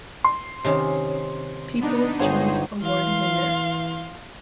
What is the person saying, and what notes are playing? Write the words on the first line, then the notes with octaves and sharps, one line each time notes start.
People's Choice Award winner.
C6
C3 D#3 C#4
B3 D4 D#4
G1 D#4 G#4 C5 C#5 G#5
E3 F5 C6